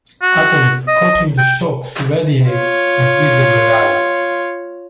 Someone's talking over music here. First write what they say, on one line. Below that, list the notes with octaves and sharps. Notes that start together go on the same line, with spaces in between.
Atoms caught in the shocks radiate a visible light.
F#4
D#5
G5
F4 C#5